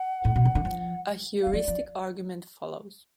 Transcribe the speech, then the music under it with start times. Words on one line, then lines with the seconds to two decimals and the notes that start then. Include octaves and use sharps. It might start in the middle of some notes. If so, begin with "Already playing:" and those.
A heuristic argument follows.
Already playing: F#5
0.25 A2
0.36 B2
0.45 C#3
0.55 D3
0.65 F3
1.43 F#3 F5
1.53 F3 D5
1.68 F3